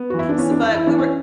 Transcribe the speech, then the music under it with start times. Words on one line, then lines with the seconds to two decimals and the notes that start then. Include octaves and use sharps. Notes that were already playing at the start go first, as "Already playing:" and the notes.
s but we were
Already playing: B3
0.10 E3 F#4
0.19 E4
0.29 D4
0.38 E3 C#4
0.51 D4
0.63 E3 E4
0.74 E4
0.87 E3 D4
0.99 C#4